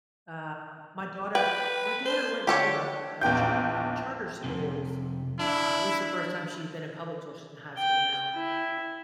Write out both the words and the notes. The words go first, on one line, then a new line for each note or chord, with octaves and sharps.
Um, my daughter my daughter went to a a char uh, charter schools. Uh, this is the first time she had been in public school- she's in high school now.
B4 G5
C5
D3 G4 A4 C#5
A#1 E2 G5 G6
F2 C3
D4 E4
G5
E4